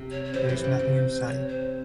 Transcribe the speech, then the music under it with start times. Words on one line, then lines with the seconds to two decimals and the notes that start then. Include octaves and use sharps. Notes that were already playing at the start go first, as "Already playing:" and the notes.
There is nothing inside.
Already playing: C3
0.11 C#5
0.25 C#5
0.33 C3 E3 C5
0.49 C3 E3
0.64 C#3
0.79 C3
1.25 C#5
1.48 C5